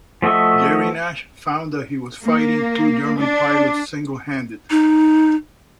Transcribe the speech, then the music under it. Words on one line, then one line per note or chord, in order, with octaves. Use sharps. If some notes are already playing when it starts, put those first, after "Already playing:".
Gerry Nash found that he was fighting two German pilots single-handed.
F3 A3 F#4 D#5 E5
A#3
D4
D#4